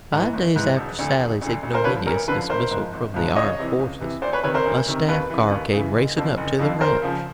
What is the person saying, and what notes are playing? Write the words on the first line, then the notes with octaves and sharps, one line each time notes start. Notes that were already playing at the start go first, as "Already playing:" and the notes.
Five days after Sally's ignominious dismissal from the armed forces, a staff car came racing up to the ranch.
G#2 E3
G#1
G#2 E3
E1
D2 D3
E1
D2 D3
D2
A#4 C5
D3 F3 B4 C#5
D2 A#4
D3 F3 B4
G#1 A#4 C5
G#2 F3
G#1
G#2 F3
C#2 C#5 D#5
C3 E3
C#2
C3 E3
D2 C5 D5
B4 C#5
C3 D#3 B4 C#5
A#4 C5
D2
C3 D#3
D#2 B4
C#3 E3
D#2
C#3 E3
F#1
F2 D3 F3
F#1
F2 D3 F3
E2 A#4 C5
C#3 F3